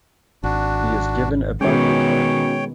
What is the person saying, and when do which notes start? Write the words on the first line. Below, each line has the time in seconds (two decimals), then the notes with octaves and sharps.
He is given a Barclaycard.
0.43 G#1 D4 F#4
1.61 B2 D#3 G#3 C#4 F#4 C#5 G5